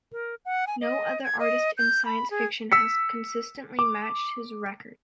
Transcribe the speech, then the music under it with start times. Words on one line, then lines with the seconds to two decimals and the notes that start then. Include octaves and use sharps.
No other artist in science fiction has consistently matched his record.
0.12 A#4
0.45 F#5
0.67 G#5
0.81 D#5
1.23 G#6
1.40 D#5
1.77 G6
2.05 B5
2.30 G#4
2.72 E6 B6 C#7
3.79 D6